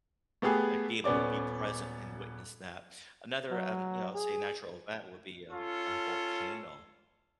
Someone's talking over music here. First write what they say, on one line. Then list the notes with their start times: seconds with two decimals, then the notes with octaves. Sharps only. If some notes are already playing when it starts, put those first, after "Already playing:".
like, be able to be present and witness that. Another, um, you know, I would say natural event would be, um, a volcano
0.42 A3 B3 G4 G#4 B4
1.04 D#1 B3 C#4 D5 D6
3.51 F#3
4.14 G#4
5.50 C#4 F4 A4